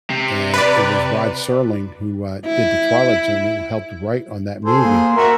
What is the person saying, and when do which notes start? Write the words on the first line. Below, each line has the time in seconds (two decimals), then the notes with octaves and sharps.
and it was Rod Serling, who, uh, did The Twilight Zone, who helped write on that movie,
0.10 C3
0.54 B4 D5
2.46 E4
4.65 G#4 A4 C5
4.83 A#3
5.16 F#4 A#4 E5